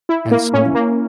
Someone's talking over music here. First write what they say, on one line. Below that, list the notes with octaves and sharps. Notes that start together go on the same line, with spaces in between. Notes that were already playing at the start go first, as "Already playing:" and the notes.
And son.
E4
A#3
C#4
A#3